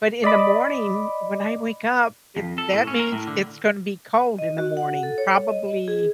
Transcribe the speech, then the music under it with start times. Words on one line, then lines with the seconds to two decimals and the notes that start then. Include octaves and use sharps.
but in the morning, when I wake up, it that means it's gonna be cold in the morning, probably
0.24 D5 D#5 B5 D6
2.37 F2
2.58 A4
2.73 A2
2.87 C#4
2.99 A#4
3.12 A2
3.27 D3
4.39 D#5
4.58 F#4
4.77 F#5
5.03 A4
5.18 C#5
5.48 D#5
5.88 G#4